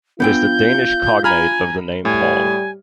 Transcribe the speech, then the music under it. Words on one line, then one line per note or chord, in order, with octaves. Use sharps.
It is the Danish cognate of the name Paul.
B3 D4 F4 G5 G6
G#5 A#5 B5 F6
A2 G3 G#5